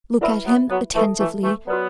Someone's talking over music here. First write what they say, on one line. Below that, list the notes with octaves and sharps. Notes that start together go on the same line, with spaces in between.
Look at him attentively.
D3 F#3 E4 B4 E5 B5
F#3 B3
F#3 B3
E3 A3 A4 E5 A5
E3 A3
E3 A3
F#3 B3 F#4 B4 D5